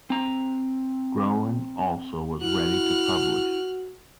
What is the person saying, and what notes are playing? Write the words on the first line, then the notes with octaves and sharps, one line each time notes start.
Groen also was ready to publish.
C4 A#5
E4 F#4 F6 F#6